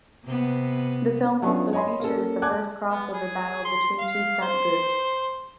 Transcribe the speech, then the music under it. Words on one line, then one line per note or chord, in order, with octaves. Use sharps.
The film also features the first cross over battle between two stunt groups.
C3 B3
F#3 B3 C#4 D4 F4 G#4
C#5 D#5 G#5 B5 C6
A#3 C#4 A4
D5 G#5 A5 D6 F#6 G#6
B3
G#4
C6
F5
C5